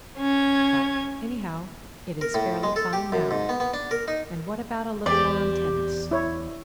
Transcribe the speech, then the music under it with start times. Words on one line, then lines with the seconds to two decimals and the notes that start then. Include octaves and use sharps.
But, anyhow, it is fairly fine now, and what about a little lawn tennis?
0.19 C#4 G#6
2.21 A#4
2.34 A2
2.63 G#3
2.76 A4
2.93 G4
3.12 F#2
3.31 G#2
3.49 B3
3.60 B3
3.74 D4
3.91 A#4
4.08 D#4
5.06 E2 C4 G4 D5
6.11 E4 C#5